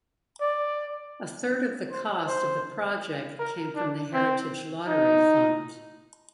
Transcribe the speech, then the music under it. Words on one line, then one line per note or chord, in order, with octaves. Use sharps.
A third of the cost of the project came from the Heritage Lottery Fund.
D5
C5
C5
A#4
D4
C4
D#4